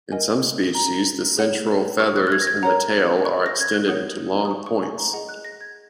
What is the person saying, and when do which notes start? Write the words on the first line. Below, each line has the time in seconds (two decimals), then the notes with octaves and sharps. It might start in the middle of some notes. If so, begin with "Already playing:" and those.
In some species, the central feathers in the tail are extended into long points.
0.12 A#4 D#5 F#5 G#5
0.75 A#5
1.37 G#4 C#5 F#5
2.00 C#6
2.16 F#6
2.27 F#6
2.32 G#6
2.42 A#6
2.47 G#6
2.63 A#4 C#5 F#5 A#5
3.25 C#6
3.46 A#6
3.60 G#6
3.74 F#6
3.88 A#4 C#5 F#5 D#6
4.45 D#6
4.51 C#6
4.66 C#6
4.82 G#5
4.98 A#5
5.13 G#4 D#5 F#5
5.29 F#6
5.44 A#6
5.61 G#6